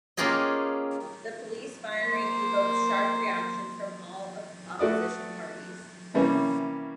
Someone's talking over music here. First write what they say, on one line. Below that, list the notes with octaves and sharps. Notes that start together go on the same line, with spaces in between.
The police firing evoked sharp reaction from all opposition parties.
A#3 C#4 F4 G4 G#4 D#5
A#3 C5
A3 F#4 D5 D#6
C3 E3 G3 A#3 C#4